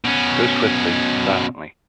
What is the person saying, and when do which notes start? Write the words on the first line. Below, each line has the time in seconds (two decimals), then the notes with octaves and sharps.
Go swiftly, silently.
0.05 B2 C#4